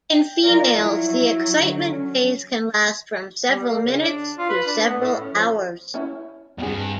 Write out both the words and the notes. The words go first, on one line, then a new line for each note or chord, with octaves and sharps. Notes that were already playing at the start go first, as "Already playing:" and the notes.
In females, the excitement phase can last from several minutes to several hours.
G5
F#3 F4 A#4 D5
F#3 E4
D3
C#4
G3
A#3
C#3
D4
F4
B4
D4
B3
A2
C#4
F3
C#4 E4
E2 G2 C4 G#4